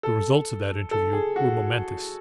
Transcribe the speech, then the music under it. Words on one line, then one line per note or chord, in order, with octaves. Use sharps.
The results of that interview were momentous.
A4
A4
G#4
F#4